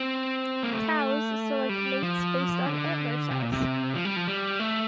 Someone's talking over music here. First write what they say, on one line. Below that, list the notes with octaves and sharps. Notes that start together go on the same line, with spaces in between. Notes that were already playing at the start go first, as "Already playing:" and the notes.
Cows select mates based on antler size.
Already playing: C4
A#3
A3
G3
F3
D3
C3
A#2
C3
F3
G3
F3
G3
A3